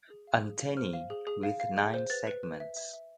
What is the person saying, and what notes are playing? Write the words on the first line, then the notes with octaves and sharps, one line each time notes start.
Antennae with nine segments.
G#4
F5
G#4
F5
C5 F6
F5
G#4
G#4
F5
F5
G#4
C5
B4 A6
B4
B4
E5
E5
E5